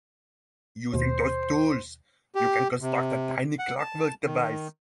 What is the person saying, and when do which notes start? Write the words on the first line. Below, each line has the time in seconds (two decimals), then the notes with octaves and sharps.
Using those tools, you can construct a Tiny clockwork device.
0.94 D#2 B2 C5
2.35 G4
2.81 C3
3.59 F#5
3.79 A5
4.24 D#3